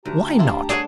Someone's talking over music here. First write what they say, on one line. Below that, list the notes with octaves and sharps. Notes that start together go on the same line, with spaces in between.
"Why not?"
D2 G4 A5 A#5
A#3 E4 F4
D4 G#4 A4 C#5 F#5